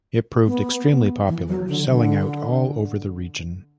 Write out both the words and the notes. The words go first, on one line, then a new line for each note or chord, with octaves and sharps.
It proved extremely popular, selling out all over the region.
B3
E3
F#3
D3
D3